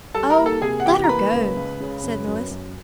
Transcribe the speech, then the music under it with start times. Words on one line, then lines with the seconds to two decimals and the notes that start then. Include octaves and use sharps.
"Oh, let her go!" said Louis.
0.15 G3 A4 A5
0.30 A#4 A#5
0.38 A#3
0.46 A4 A5
0.62 C3 G#4 G#5
0.80 F#5
0.86 E3 G4 G5
1.04 A#5
1.09 A#3 B4 B5
1.33 C#2
1.57 C#2
1.80 C#3
2.04 F#2
2.27 F#2
2.51 F#2